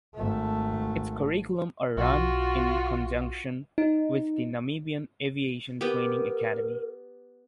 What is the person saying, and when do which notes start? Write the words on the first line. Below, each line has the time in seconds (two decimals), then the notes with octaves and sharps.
Its curriculum are run in conjunction with the Namibian Aviation Training Academy.
0.15 G#1 A3
1.97 B1 F4 F#4
3.78 D#4
5.81 B3 G4 A#4